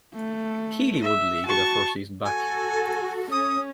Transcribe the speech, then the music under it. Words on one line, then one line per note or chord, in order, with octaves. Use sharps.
Keighley won the league in their first season back.
A3
E5
F#4 A5 C#6
F#4 A4 G#5
C#4 D#6